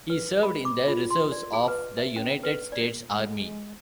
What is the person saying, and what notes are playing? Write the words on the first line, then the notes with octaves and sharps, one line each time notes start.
He served in the reserves of the United States Army.
B4
B5
D6
F4
C6
D5
G#4
B4
E5
C#4
B4
D5
G#3